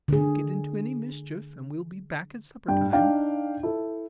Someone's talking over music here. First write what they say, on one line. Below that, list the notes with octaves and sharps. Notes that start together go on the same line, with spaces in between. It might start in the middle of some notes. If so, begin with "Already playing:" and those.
"Don't get into any mischief and we'll be back at supper time."
D3 G#4
G2 G5
D4 D#4 F5 G5
E4 A4